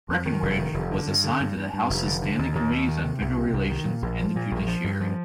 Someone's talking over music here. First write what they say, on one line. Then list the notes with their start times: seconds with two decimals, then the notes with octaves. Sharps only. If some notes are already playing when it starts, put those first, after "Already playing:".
Breckinridge was assigned to the House's standing committees on Federal Relations and the Judiciary.
0.09 F2
0.26 D#3
0.42 F1
0.59 D#3
0.74 F1
0.91 D3
1.08 G2
1.24 D3
1.40 G2
1.57 G2
1.74 G2
1.90 F1
2.05 D3
2.22 D3
2.39 D#2
2.55 D#2
2.71 D#2
2.88 D#3
3.04 C3
3.21 C2
3.38 C3
3.53 C2
3.70 D#3
3.86 A#2
4.02 A#1
4.19 F3
4.36 A#2
4.51 A#1
4.68 F3
4.84 G2
5.00 F3